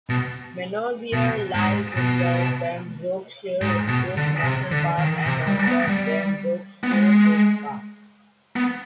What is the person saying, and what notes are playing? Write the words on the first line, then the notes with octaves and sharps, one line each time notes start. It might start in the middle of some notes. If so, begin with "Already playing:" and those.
Manorbier lies in the Pembrokeshire Coast National Park and on the Pembrokeshire Coast Path.
B2
B2
G#2
B2
G#2
B2
D3
C3
D3
D#3
C3
G3
B3
G3
B3
G#3
B3